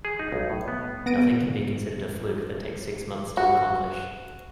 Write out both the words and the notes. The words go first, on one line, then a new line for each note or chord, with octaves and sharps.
Nothing can be considered a fluke that takes six months to accomplish.
G#4
D#4
B1
A2
B3
B3 A#6 D7 D#7
F#4